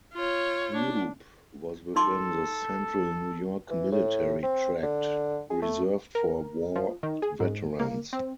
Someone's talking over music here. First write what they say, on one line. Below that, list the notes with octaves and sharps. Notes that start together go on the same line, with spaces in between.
Throop was within the Central New York Military Tract, reserved for war veterans.
F4 C#5
D4
D#4 A4 C6 D6
E3
A2
C4
D3
G#4
A3
A#4
F3
D#3
G#4
G#2
A#3
C4